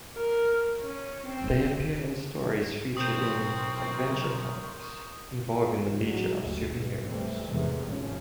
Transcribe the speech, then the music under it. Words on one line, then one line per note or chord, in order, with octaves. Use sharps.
They appear in stories featured in "Adventure Comics" involving the Legion of Super-Heroes.
A#4
C#4
C4
B1 C4 A#4 C6 C#6 D#6 G6
F#3 G#3
F#1 D2 G3
B1 G#2 B2
A#1 F2 E3 G3 A3 C4
E2 A2 C3 D#3 E3 G#3
G#1 A2 F3 C#4